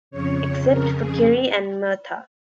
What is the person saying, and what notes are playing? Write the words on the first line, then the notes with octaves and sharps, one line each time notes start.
Except for Kerry and Murtha.
F2 C#3 C#5
F2 C#3 A#4
G#4